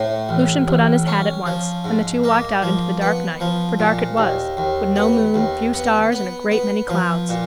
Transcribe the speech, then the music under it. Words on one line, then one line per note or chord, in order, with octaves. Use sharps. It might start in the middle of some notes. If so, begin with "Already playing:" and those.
Lucian put on his hat at once, and the two walked out into the dark night, for dark it was, with no moon, few stars, and a great many clouds.
Already playing: A2
A1
A1
C#4
F3
G#2
A#3
F3
B3
F3
A#2
D#2
D#2
B3
D#2
B3
B3
B3
F3
A#2